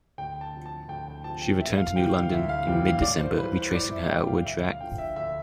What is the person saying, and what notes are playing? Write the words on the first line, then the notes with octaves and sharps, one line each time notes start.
She returned to New London in mid-December, retracing her outward track.
D2 G5
A5
C3 F3
A5
D2 G5
G5
C3 F3 A5
G5
D2 E5
F5
C3 E3 G3 G5
F5
D2 E5
F5
C3 E3 G3 G5
F5
A2 D5
C5
E3 G3 B4
C5
A2 D5
E5
E3 G3 G5
F5
D2 E5
F5
D3 F3 G5
E5
D2 E5